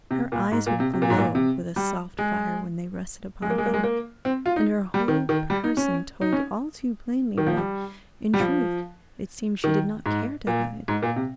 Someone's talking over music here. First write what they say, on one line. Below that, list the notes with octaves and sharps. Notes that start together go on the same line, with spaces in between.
Her eyes would glow with a soft fire when they rested upon him, and her whole person told all too plainly what, in truth, it seemed she did not care to hide.
C3
A#2
G#2
A#2
C3
C3
A#2
G#2
A#2
C3
G3
G#3
G#3
A#3
G#3
A#3
G#3
A#3
C4
F4
D#4
G3
D#3
D#3
G3
D#4
C#4
D#4
C#4
D#3
F3
G3
G3
F3
D#3
G#2
A#2
G#2
A#2
C3